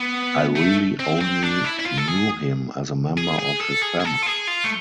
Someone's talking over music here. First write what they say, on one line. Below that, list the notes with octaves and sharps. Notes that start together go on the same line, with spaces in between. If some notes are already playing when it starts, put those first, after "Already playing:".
I really only knew him as a member of his family.
Already playing: B3
A3
C4
C4
D4
E4
E4
F4
A4
G#4
G#4
G#4
A4
G#4
G#4
A4
F4
G#4
F4
A3